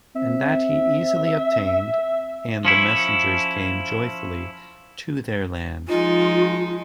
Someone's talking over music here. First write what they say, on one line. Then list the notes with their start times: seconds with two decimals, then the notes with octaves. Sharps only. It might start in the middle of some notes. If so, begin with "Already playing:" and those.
And that he easily obtained; and the messengers came joyfully to their land.
0.16 C4 E5
2.65 F3 C#4 E4
5.88 F3 G#3 D#4 F4